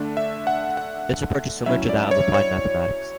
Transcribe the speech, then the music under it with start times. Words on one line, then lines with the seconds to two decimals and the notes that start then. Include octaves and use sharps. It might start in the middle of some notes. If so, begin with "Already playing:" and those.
This approach is similar to that of applied mathematics.
Already playing: D3 A3 D4
0.17 E5
0.47 F#5
0.77 F#5
1.66 F#3 C#4 E4 E5
1.89 D5
2.11 C#5
2.34 C#5